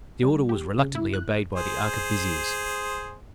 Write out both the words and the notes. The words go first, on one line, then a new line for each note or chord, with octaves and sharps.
The order was reluctantly obeyed by the arquebusiers.
G3
G4
C#3
E4
F#6
G#4 C5